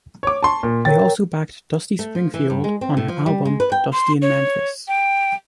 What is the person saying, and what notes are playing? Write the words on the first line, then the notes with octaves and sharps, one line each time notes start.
They also backed Dusty Springfield on her album "Dusty in Memphis".
C#5 D6
A5 C6 C#6
A#2
A#4 C#5 G5 A6
A3
F3
E3
G2
G#3
C4
A2
F3
G3
G#3
B4
G5
C6
C#5
G5